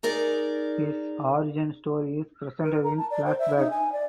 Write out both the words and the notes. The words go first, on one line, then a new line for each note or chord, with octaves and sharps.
His origin story is presented in flashbacks.
D#4 G#4 A#4 D5
A#4
A#5
A5
D5
C5
E5
D#4
G#5
D5